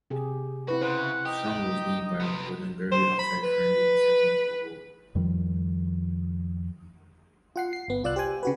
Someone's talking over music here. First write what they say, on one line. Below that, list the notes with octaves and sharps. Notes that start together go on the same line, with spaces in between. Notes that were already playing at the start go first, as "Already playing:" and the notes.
Soong was named by Roddenberry after a friend in the Second World War.
C3 G4 G#4
C4 E4 F#4 B4
C#3 C5 F#5
D#4 G4
C3 B3
C5
B5
B4
F2 D#3 F3 G3
F4 F#5 C7
C7
G1 B3
C2 F4 D5 E6 F#6
G4 C5 G5 G#5
C#3 F#4 B4